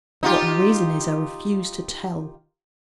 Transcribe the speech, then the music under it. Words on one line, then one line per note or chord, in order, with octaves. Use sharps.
What my reason is, I refuse to tell.
D#4 F4 G4